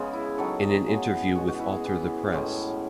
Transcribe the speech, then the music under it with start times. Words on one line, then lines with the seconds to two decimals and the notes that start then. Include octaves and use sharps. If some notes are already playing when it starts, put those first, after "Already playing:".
In an interview with Alter The Press!
Already playing: C#3 G#3 B3
0.13 E4
0.38 D#3 F#3 C#4 A4
0.62 G#4
0.86 C#3 G#3 B3 F#4
1.11 E4
1.35 B2 G#3 C#4 F#4
1.48 F#4
1.60 E4
1.72 G#4
1.84 E3 B3
2.32 A2 G#3 C#4